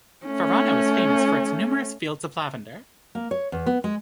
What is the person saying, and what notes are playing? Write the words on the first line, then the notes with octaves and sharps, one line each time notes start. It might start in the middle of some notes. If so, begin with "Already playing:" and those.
Furano is famous for its numerous fields of lavender.
A3 C#4
A#3
C#5
E2
B3
G#3